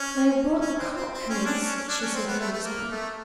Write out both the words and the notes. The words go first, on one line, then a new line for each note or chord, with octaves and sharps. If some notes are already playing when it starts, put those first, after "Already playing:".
"They have brought the cock, Miss," she said in a whisper.
Already playing: C#4
C#4
C4
C4
C4
C#4
D4
C#4
C#4
D4
C#4
C4
B3
A3
A3
A#3
A3